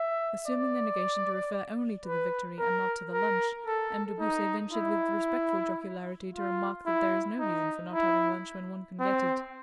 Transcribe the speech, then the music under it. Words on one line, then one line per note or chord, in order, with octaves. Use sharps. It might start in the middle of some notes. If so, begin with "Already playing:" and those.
Assuming the negation to refer only to the victory and not to the lunch, M. de Beausset ventured with respectful jocularity to remark that there is no reason for not having lunch when one can get it.
Already playing: E5
D5
B4
A#4
A#4
A4
D#4
E4
F4
E4
D#4
E4
C4